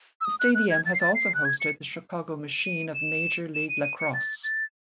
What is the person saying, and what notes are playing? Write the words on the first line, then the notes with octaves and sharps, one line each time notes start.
The stadium has also hosted the Chicago Machine of Major League Lacrosse.
E6
D#6
F#6
F#6
G#6
A6
C7
A6
C7
F#6
G#6
C#7
D#7
E7
E7
D#7
D#7
C#7
A6
A6